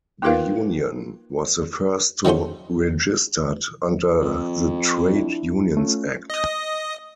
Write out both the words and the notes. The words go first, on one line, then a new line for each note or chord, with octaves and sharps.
The union was the first to registered under the Trade Unions Act.
A#3 D#4 F4 A#4 B4 F5
D#3 F#3 A3 C#4 C5
F2
D4 E4
A3 C#4 F4
D#5 D#6